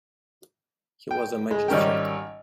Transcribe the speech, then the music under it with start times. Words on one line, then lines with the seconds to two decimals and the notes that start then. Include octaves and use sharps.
He was a magistrate.
1.11 G5
1.51 G#3
1.68 G#1 G3 C#4 A#4 G5